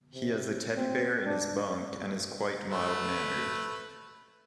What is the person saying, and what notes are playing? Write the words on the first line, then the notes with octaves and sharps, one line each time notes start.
He has a teddy bear in his bunk and is quite mild-mannered.
C3
C4
D4
A3 B4